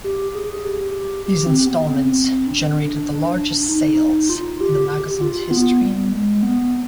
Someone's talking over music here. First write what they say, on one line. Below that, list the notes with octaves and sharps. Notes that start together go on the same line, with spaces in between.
These installments generated the largest sales in the magazine's history.
G4
G#4
G#4
G4
G4
C4
B3
C4
D4
D#4
F4
G4
G4
F4
B3
G3
G#3
B3